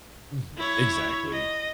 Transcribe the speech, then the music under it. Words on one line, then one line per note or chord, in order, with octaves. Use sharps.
Mhm. Exactly.
E4 C#5
D#5